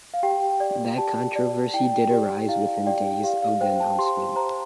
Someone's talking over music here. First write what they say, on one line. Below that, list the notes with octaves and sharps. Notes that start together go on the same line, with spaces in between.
That controversy did arise within days of the announcement.
F5
G4 G5
D5
G4 A5
D5
E4 G5
G4 D5
E4 F5
G4 D5 G5
G4 F5
F5
C5 G5
A5
G4 C6
C5 A#5